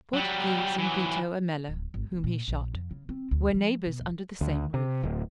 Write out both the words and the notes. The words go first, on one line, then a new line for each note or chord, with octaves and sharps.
Portoghese and Vito Ammella, whom he shot, were neighbors under the same roof.
F#3 G3
E3 F#3
D1
G#1
E1
A#2
A#1
F2
C#3
C4
D2
F3
B2
F1
D2
C3
D1